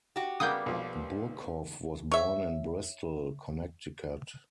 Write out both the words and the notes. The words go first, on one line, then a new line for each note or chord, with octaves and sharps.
Burghoff was born in Bristol, Connecticut.
F#4 G4
C#3 G3 A#3 B3 A#4 D#6 G6
B1 F3
C#5 E5